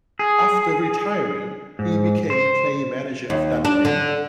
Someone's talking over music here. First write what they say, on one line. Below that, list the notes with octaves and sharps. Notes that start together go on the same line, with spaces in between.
After retiring, he became player-manager of Dundee.
G#4
G#2
C5
D#2
D4
D3